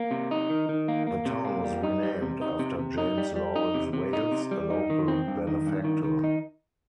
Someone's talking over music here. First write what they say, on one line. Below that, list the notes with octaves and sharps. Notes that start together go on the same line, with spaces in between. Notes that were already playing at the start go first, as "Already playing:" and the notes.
The town was renamed after James Lawrence Wales, a local benefactor.
Already playing: A#3
C3
D#4
D#3
D#3
A#3
A#3
C3
A#3
G3
D#4
G3
C3
D#4
C3
C3
D#4
G3
G3
D#4
C3
C3
D#4
C3
G3
D#4
D#3
C4
G2
D#3
G2
D#3
D#3
D#4